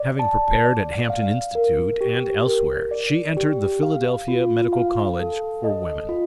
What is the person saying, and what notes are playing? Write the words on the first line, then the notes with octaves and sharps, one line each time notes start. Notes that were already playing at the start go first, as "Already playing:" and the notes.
Having prepared at Hampton Institute and elsewhere, she entered the Philadelphia Medical College for Women.
Already playing: D5
A5
D5
F5
A#4
G4
A#4
D5
G4
F5
F4
F5
A4
D#5
F4